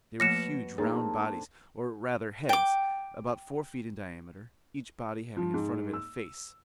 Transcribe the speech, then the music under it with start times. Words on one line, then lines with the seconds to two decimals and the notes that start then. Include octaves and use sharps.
They were huge round bodies--or, rather, heads--about four feet in diameter, each body having in front of it a face.
0.20 B2 F3 A3 A#3 A#6 C#7 E7
0.78 A#3 C4 D4 D#4 G#4 A4 C#5
2.49 G5 D6
5.37 F3
5.54 G#2
5.93 E6